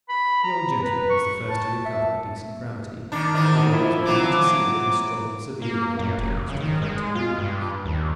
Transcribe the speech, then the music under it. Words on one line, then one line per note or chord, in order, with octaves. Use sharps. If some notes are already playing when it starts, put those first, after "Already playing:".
The old gentleman was the first to recover a decent gravity, although it was plain to see that he struggled severely at intervals to prevent a relapse.
B5
A#5
B4
C#6
A5
E5
D#3 D4
G#2 D#3 E3 D4
F3 E4
E3 F#3 D6
A#3
F#2
F1
C#3
D#3
G#3
F4
G2
D#2